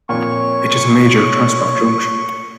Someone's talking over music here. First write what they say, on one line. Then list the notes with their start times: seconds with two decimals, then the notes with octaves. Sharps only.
It is a major transport junction.
0.09 F2 A#2 C#5 C#6